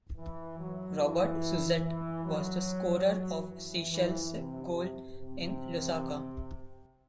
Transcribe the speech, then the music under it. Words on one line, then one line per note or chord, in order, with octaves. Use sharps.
Robert Suzette was the scorer of Seychelles' goal in Lusaka.
E3
F#3
E3
E3
F#3
E3
E3
C3
C3